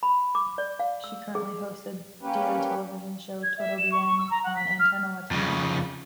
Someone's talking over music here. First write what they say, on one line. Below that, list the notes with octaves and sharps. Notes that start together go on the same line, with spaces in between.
She currently hosts a daily television show "Todo Bien" on Antena Latina.
B5
D6
D5
F5
E6
G#4
A#3 C#4 G4 B4
G#6
E5
E7
C#6
C#6
E6
A#5
F#5
B6
F6
F2 C#3